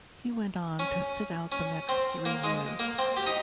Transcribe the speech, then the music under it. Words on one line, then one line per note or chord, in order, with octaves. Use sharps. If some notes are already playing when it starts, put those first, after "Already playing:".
He went on to sit out the next three years.
C#4
C#4
C4
A#3
G#3
A#3
C4
G4
D#4